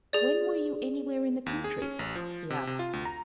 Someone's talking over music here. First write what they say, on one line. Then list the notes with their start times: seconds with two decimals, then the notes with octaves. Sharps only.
"When were you anywhere in the country?" he asked.
0.13 G#4 D5
1.46 D#2
1.64 G#4
1.82 C#4
1.99 A1
2.15 F3
2.50 C3
2.67 C3
2.79 F4
2.93 D2
3.05 A#5